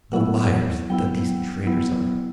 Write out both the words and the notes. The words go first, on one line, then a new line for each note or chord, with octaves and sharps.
The liars that these traders are!'
F#3 B3 E4 F#5
F#3 B3 E4 G5
F#3 B3 E4